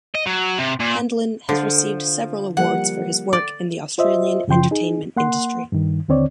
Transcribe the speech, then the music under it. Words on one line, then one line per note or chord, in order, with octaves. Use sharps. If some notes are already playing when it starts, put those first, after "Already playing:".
Handlin has received several awards for his work in the Australian entertainment industry.
D#5
F#3
C3
A#2
D3 F3
F3 G3 A#3 F#5
D5
F4 C5 D#5 E5
F#2 C#3 F3 G5 C6
D#4 G#4
A#3 F#5 C6
G2 D#3
D#2 D3 C4 C#5 D5